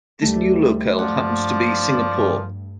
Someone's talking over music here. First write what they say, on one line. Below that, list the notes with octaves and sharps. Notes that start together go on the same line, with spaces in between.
This new locale happens to be Singapore.
D#2 G3 A3
G2 F3 D5 F#5